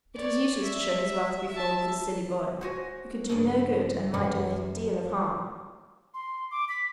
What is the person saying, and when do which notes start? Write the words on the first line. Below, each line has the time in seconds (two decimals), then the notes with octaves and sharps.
It was useless to show his wrath before this silly boy, who could do no good and might do a deal of harm.
0.14 C#5 D5
0.64 E5
1.51 E5 A5
2.61 F#4 C5 C#5 G#5 A#6
3.29 G2 C#3 A3
4.14 F#2 E3 F#3 A3
6.14 C6
6.51 D6
6.69 B6